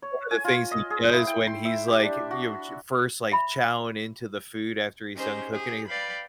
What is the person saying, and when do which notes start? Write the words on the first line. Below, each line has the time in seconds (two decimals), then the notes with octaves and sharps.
one of the things he does when he's, like, you ch first, like, chowing into the food after he's done cooking, he,
0.02 C#5
0.31 G#5
0.44 F4
0.71 D#5
0.90 G#4
1.13 E4
1.27 G5
1.47 C6
1.65 E5
1.88 G4
2.03 D4
2.31 F#4
3.32 E5 B5
5.16 C#4 D#4 G4 G#4 C5
5.52 G4 G#4
5.88 B4 D5 F5 G5 B5